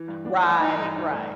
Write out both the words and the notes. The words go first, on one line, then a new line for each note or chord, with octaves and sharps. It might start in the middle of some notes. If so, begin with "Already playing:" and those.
Right, right.
Already playing: E3
G2
D4
A3
E3 D#4
G2
D4
A3